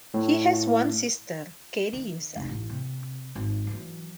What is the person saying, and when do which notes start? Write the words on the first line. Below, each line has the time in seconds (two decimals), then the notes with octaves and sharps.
He has one sister, Katiucia.
0.14 A2
1.93 D#3
2.36 F1 C2
2.49 A1
2.69 C3
3.35 G#1
3.67 E3 F#3